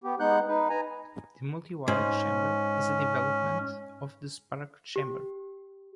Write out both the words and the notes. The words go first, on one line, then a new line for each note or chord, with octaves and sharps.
The multi-wire chamber is a development of the spark chamber.
B3 G4
G#3 B3 D#4 F#5 F#6 G6
D#4 B4
G#5 A#5
G#2 C#4
G4